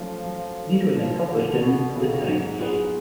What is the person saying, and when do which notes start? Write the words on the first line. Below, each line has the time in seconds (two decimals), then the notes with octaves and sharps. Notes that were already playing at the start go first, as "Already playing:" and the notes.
These were then published in "The Times".
Already playing: F3 F#3 A3 C#4
0.24 F#3
0.57 A3 C#4
0.91 D3 F3
1.24 D3 G#3 D4 F#4 A4
1.58 B2 D3
1.92 C#3 G#3 D4 F#4 A4
2.26 G#2 F#3
2.59 B3 F4 G#4 B4